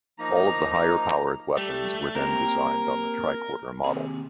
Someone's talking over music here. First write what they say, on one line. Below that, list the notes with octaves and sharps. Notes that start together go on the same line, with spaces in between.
All of the higher-powered weapons were then designed on the tricorder model.
F3 A#3 D#4 A#5
G3 A3 G4
A#3 C4 G4 A#4
D#2 C3 G#4